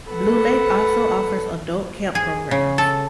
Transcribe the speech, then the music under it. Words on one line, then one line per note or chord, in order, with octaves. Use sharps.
Blue Lake also offers adult camp programs.
A4 B4 F#5
G#4
C#3
A4